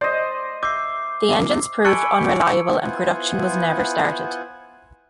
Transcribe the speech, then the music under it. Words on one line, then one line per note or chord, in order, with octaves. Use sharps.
The engines proved unreliable and production was never started.
C5 D5 D#5
E5 D6 G6 C7
A4 G#5 B5 C#6 F#6 C#7 D7
B3 E4 F4 C5 F#5 G#5